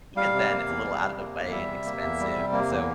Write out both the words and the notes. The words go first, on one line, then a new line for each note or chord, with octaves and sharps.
even then, it's a little outta the way and expensive and so
G3 F5
C3
A#3
E2
G3
C3
A#3
E2
G3 E5
C3
A#3
E2
G3
C3
A#3
E2